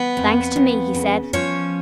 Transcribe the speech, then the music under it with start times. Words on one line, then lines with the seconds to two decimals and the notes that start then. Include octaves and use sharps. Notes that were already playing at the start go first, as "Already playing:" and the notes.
"Thanks to me," he said.
Already playing: B3 B4
0.17 F2
0.56 F2
0.95 C#3
1.33 F3 C#4 C#5